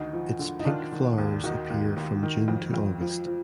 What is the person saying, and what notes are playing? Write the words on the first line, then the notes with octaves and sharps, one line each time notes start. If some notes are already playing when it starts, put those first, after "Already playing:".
Its pink flowers appear from June to August.
Already playing: D2 D#3 D#4
F3
D3
D#4
D#3 D4 F4
D#3
D#2
D#3 D#4 F#4
D#2
D#2
D#3
F2
F2
F3
F3